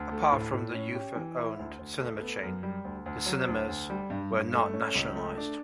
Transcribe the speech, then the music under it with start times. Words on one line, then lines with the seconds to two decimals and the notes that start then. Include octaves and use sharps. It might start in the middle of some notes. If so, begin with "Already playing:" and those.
Apart from the Ufa-owned cinema chain, the cinemas were not nationalized.
Already playing: D2
0.12 A3
0.32 A2
0.53 A2
0.74 C#4
0.95 G4
1.16 E3
1.37 E4
1.59 D2
1.79 D2
2.00 A3
2.21 B3
2.43 F#2
2.63 G3
2.85 D2
3.06 D2
3.26 F#3
3.48 D2
3.69 D2
3.90 G3
4.10 G2
4.32 G2
4.52 A3
4.74 C#4
4.95 C#2
5.16 A3
5.38 D4